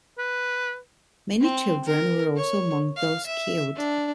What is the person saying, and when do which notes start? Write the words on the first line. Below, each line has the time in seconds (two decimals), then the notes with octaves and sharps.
Many children were also among those killed.
0.18 B4
1.41 C4
1.87 A#4
2.37 C#5
2.96 F5
3.26 E5
3.76 D4